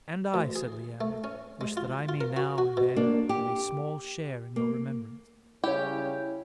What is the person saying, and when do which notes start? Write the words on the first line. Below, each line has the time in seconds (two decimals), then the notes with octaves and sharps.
"And I," said Leander, "wish that I may now and then have a small share in your remembrance."
0.34 D2
0.56 G#4
1.01 A3
1.24 C#4
1.61 G#3
1.77 F4
2.09 F4
2.21 A#4
2.37 F#4
2.58 F#4
2.77 B2
2.96 A#3 D4
3.29 G4
4.56 A#3
5.64 C#3 G3 C#4 E4 G4 C#5 G5 G6